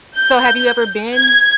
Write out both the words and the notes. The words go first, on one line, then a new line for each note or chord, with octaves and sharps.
So have you ever been
G6
G#6